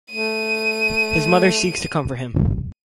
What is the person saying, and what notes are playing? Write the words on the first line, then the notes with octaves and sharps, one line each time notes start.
His mother seeks to comfort him.
A3 D#7